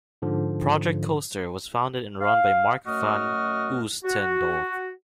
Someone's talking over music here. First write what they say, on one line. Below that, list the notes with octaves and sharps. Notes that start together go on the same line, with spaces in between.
Project Coster was founded and run by Marc van Oostendorp.
G#2 D3 F3
F5
F#2 A3 F#4 D#5 F6
F#4